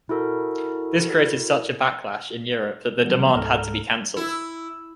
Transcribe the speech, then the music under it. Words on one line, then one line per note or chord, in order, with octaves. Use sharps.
This created such a backlash in Europe that the demand had to be canceled.
E4 F#4 A4 A#4
E3 F#3 G3 B3
C#2 G#2 A4 A#5 F6
E4